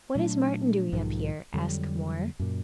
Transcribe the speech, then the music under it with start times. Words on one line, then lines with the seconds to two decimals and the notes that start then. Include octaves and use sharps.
"What is Martin doing up here?" asked Moore.
0.15 A#2 F#3 A3 D4
0.92 B1 G#2 D#3 F3
1.53 F2 D3 F#3 G3
2.39 F#2 A#2